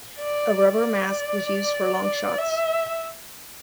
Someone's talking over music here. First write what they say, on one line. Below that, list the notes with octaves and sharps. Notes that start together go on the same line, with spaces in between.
A rubber mask was used for long shots.
D5
D5
E5